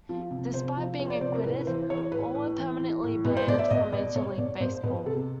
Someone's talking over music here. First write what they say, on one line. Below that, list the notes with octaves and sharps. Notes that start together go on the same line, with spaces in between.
Despite being acquitted, all were permanently banned from Major League Baseball.
F3
C3
C3 C5
F3
F3 C#5
D5
C3 C5
A#4
A2 B4
B4
E3 C5
E3 C#5
A2 B4
A2
E3
E3
A2
B2 B4
C5
B2 D5
E5
B2 D#5
B2 D5
B2 C#5
B2 D5
B2 C5
B2 B4
C3 A4